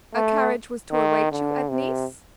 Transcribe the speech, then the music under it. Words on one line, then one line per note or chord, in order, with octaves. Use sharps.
"A carriage was to await you at Nice?"
A3
D#3
D3
C3